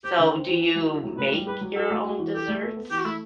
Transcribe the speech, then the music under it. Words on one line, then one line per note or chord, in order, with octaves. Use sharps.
So, do you make your own desserts?
C4 G4
D3
C4
E3
E4
F#3
E4
F#3
A2 B4
G3
G4 B4
F#3
F#4 A4
A3
F#4
E3
G4 A4
A3
A4
B3
E3 G4
F#4
A3 E4